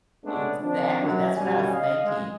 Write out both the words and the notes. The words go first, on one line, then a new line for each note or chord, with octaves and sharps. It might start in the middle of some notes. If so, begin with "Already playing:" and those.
Exactly, that's what I was thinking.
G#3 A3 B3 C#4 D4
D#3 F3 C4 D4
F#2
F#2 B2 G3 C#4 G#5
D#5 F5
G#3